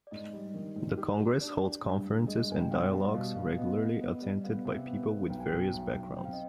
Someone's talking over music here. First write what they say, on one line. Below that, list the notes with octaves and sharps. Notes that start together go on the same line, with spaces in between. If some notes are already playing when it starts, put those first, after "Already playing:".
The Congress holds conferences and dialogues, regularly, attended by people with various backgrounds.
D5
G#2 D#5
G3
D#3
G#2
G4
G4
D4 D5
G4
G2
G2
G#3 D#5
G2 G#5
G5
B2 F5
G3
D#5
B2 F5
B2 F5
B3 D#5
B3
B3
G3
B3 F5
C3
B3
B3
B1 G5
G#5
B2 G5
B1
B1
C4 G5
F5
D#5